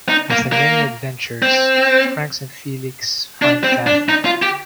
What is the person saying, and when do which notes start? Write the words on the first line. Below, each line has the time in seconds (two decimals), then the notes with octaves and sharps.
After many adventures, Franx and Felix find Kathy.
0.09 D#4
0.31 A#3
0.52 A#3
1.42 C4
3.42 D4
3.64 C4
3.87 D4
4.09 D#4
4.25 F4
4.42 G4